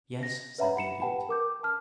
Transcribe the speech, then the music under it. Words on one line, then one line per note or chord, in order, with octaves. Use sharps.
"Yes," said the Idiot.
A#6
B4 C#5 E5 F#5 A#5 B5
F#5 B5 C#7 E7
G4 B4 F#5 G5 A5 B5
A#4 D6 G6
A5 F6